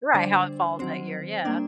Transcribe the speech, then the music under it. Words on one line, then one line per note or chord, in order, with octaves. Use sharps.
Right, how it falls that year, yeah.
D3 G3 D4 C5
D#3 F#3 C4 C5
G3 A#3 D4 D5